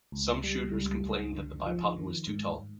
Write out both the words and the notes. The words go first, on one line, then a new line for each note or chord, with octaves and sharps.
Some shooters complained that the bipod was too tall.
C#2
G3
C#2
C#2
D3
F3
D#3
G#2